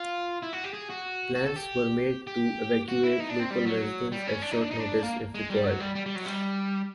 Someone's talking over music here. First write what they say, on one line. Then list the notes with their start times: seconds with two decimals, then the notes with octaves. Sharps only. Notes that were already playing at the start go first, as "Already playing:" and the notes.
Plans were made to evacuate local residents at short notice if required.
Already playing: F4
0.43 E4
0.53 F#4
0.64 G4
0.73 G#4
0.90 F#4
1.35 F#4
1.46 A4
1.56 G4
2.27 G4
2.88 F#4
3.04 E4
3.20 D#4
3.29 D4
3.40 C4
3.50 G3
3.65 F#3
4.12 G3
4.27 C#4
4.42 D4
4.52 D#4
4.61 D4
4.71 D#4
4.80 D4
5.03 A#3
5.34 G#3
5.50 G3
5.64 F#3
5.80 G3
5.95 G3
6.06 G3
6.15 F#3
6.26 G3